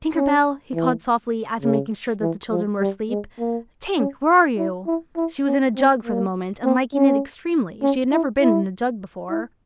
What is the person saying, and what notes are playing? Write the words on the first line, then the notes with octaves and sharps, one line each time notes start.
"Tinker Bell," he called softly, after making sure that the children were asleep, "Tink, where are you?" She was in a jug for the moment, and liking it extremely; she had never been in a jug before.
C#4
E3
C#3
E3
F3
G3
G#3
A#3
C#4
E4
E4
E4
C#4
C4
A#3
C4
C#4
C#4
E4
E4
E4